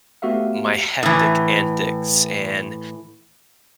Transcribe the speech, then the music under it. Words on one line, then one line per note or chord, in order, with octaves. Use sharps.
my hectic antics and
A3 B3 F#4 G4 E5 F5
A2 E3